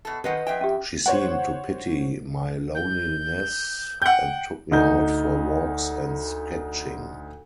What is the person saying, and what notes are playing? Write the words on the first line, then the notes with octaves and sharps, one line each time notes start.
She seemed to pity my loneliness and took me out for walks and sketching.
B2 A4
C3 D#3 B4 D#5 F#5
F2 D4 E5 G5
C#4 G4
C5 C#5 F#5
G6
F#5 G5 G6
D2 D#4 G6